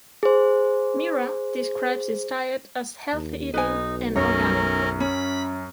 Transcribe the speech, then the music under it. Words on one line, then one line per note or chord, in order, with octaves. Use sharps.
Miura describes his diet as healthy eating and organic food.
G#4 C5
D#2
B1 D#4 B4 G#5
F#2 C#4 A#4 C#5
C#4 B5